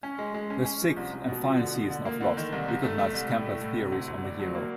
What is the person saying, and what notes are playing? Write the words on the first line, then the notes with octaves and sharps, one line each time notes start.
The sixth and final season of "Lost" recognizes Campbell's theories on the hero.
C#4
G#3
G#3
C#4
C#4
F3
C2
C2
B2
F3
D3
D3
D3
A#3
D3
D#3
C2
C2
A3
A3
C2
A2
A3
A2
C3
D2
D2
D4
F#3
A#3